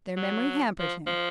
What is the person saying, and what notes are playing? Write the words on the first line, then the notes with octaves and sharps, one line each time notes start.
Their memory hampered him.
F#3
F3
F3